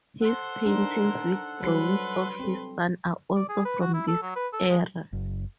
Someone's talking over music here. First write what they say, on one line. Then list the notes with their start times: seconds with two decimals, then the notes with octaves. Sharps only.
His paintings with drawings of his son are also from this era.
0.21 A4 C5 F#5 C6
0.65 D4 D#4 A#4
1.63 F#3 G3 B4 C5 C6
2.40 C4 A4
3.36 D5
3.49 G#4
3.65 B4
3.81 F#4
3.94 E4
4.08 A4
4.22 F#3
4.36 B4
4.53 A4
4.70 G#3
5.13 F#1